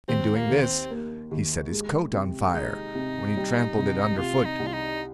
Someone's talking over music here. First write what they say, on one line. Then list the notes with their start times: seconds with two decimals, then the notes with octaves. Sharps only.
In doing this, he set his coat on fire, when he trampled it under foot.
0.08 D#2 C4
0.35 A#3
0.48 D#2
0.62 C4
0.91 A#3
1.31 D#2
1.71 G#3
2.13 C3
2.54 G#3 D#4
2.95 C3
3.37 G3
3.78 C2
4.18 C3 F4
4.45 D#4
4.60 C2
4.67 F4
4.73 D#4